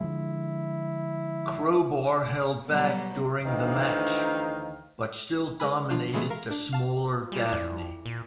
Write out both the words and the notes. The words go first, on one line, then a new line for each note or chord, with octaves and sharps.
Crowbar held back during the match, but still dominated the smaller Daffney.
D3 F3 G#3 E4
B2 F#3 G3
D2 D#3 E3 D#4 C5 F5
G#3 B4 G#5 B5
D#3 F3 D4 F4
A#2 C#3 E3 G#3 A3 B3
A#4 F5
D4
F5 A5
F4 A#4
E3 G3 D5
F2
A#2